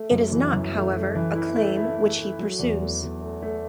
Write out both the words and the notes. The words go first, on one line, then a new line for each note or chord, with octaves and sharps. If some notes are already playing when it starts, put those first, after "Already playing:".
It is not, however, a claim which he pursues.
Already playing: A3
F#2
E3
F#2
A3
A3
E3
E4
A3
E4
A3
A3
F#3
E2
A3
A3
A3
A3